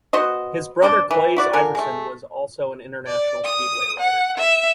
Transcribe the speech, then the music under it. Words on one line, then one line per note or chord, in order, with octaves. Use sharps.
His brother Claes Ivarsson was also an international speedway rider.
B3 F#4 C5 D#5
C4 D4 C5 D5
E3
E4 F#4 D5
D3 F3 A#4 G#5
G#3 A3
D5
D#6
F#5
E5